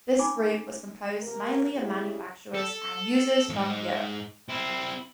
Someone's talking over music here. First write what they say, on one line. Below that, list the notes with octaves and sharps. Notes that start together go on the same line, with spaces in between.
This group was composed mainly of manufacturers and users from Europe.
C#4 D#4 G#5 B5 D6
F2 C3 A#3 A#4
C#3 G#3 D4 E4 G4 G#4
A4
D#2 G#2
C4 E4